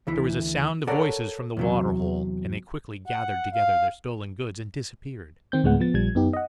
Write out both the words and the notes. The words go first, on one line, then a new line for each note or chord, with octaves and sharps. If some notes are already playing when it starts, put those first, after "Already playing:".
But there was a sound of voices from the waterhole, and they quickly gathered together their stolen goods and disappeared.
D2 E3 E4
A4 A#4 C#5 D5 F#5
E2 C3 F#3
F#5
F5
D#3 C4 G6
D2 A2 G#3 B3 F#5
F3 B3 A6
A#1 F3 G3 G#6
F#2 B3 D#4 G4
D#5 F#5